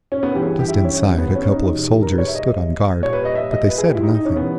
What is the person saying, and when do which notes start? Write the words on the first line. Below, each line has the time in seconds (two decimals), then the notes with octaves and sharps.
Just inside a couple of soldiers stood on guard, but they said nothing.
0.12 C#4
0.23 B3
0.35 G2 E3 G3 G4
0.42 G#4
0.59 G4
0.68 E4
0.84 C#4
1.18 B3
1.35 C#4
1.52 D#4
1.68 E2 B2 G3
2.03 A#4
2.10 B4
2.18 C#5
2.27 E5
2.35 D#5
3.02 A#2 G3 C#5
3.13 B4
3.25 D#5
3.35 E5
3.52 D#5
3.69 B4
3.78 G#4
3.87 G4
3.95 E4
4.03 D#4
4.14 D#4
4.25 C#4
4.36 E3 G3 B3